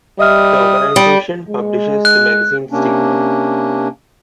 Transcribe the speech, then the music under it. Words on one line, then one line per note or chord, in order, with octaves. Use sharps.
The organization publishes the magazine "Stigma".
G3 D#5 E5 D#6 F6
G3
G#3
F#6
C3 A#3 C#4 D4